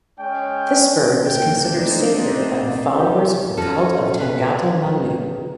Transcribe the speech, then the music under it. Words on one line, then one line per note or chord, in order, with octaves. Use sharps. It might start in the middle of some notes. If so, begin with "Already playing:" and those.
This bird was considered sacred by the followers of the cult of Tangata manu.
G#3 C#4 G5
A#3 G5
A3 C4 D4 D#4
D#3 F#3 G4
C#4 F4 F#4 A4
B4